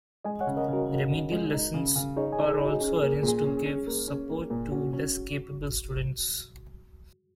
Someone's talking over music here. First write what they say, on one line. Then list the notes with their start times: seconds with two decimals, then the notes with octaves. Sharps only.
Remedial lessons are also arranged to give support to less capable students.
0.25 G#3 D#5 G#5
0.41 C#5 F#5
0.47 C#3
0.57 A#4 D#5
0.68 C#3
0.73 F#4 A#4
0.89 C#3
1.10 C#3
1.31 G#3
1.52 D#4
1.74 C#3
1.95 C#3
2.16 D#4 G#4 C#5
2.32 D#5 G#5
2.38 D#4
2.49 G#4
2.59 D#4 G#4
2.65 F#4
2.80 C#4 G#4
2.96 G#4
3.02 A#3
3.12 G#4
3.23 A#2
3.28 G#4
3.44 C#4
3.66 C#4
3.87 A#3
4.08 C#4
4.29 A#3
4.50 A#2
4.72 C#4 F#4
4.93 C#4